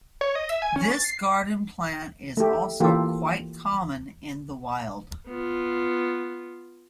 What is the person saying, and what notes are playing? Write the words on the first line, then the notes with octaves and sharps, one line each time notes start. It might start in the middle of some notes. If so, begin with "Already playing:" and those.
This garden plant is also quite common in the wild.
C#5
D#5
E5
G#5
C#4
A6
C7
A3 G4
E3 A#3 F4 G4 A4
B3 F4